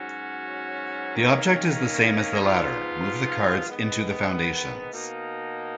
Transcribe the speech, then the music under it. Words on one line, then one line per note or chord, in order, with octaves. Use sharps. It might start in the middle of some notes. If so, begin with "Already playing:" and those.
The object is the same as the latter: move the cards into the foundations.
Already playing: G#2 F#3 C#4 F#4
D#3 A#3 C#4
G#2 F3 B3 F4
G#2 D#3 G#3 B3
B2 A#3 D#4